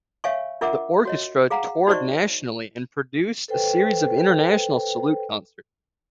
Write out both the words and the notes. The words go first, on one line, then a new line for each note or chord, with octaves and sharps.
The orchestra toured nationally and produced a series of international salute concerts.
C#5 E5 F5 G#5 C#6
D4 F4 A#4 E5 F#5 D6
F#4 C#5 D#5
G#4 F5 F#5 A#5
D#4 F#4 C5 D5 D#5 C#6
A4 B4 C5 G5